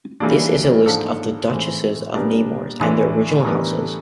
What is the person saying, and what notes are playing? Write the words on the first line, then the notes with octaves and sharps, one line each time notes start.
This is a list of the Duchesses of Nemours and their original houses.
C#3 E3 G3 A#3 D4
G#2 F3 A#3 D4 A4
A2 E3 G#3 C4
A#2 G3 B3 D4 A#4
A2 E3 G#3 B3 D4
A2 E3 G3 B3 D4 A#4
A#4
A4